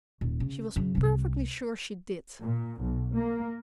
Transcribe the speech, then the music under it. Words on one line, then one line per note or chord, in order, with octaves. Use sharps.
She was perfectly sure she did.
D#1
C#3
F#2 C#3
C2 C3
A#2
B1
A#3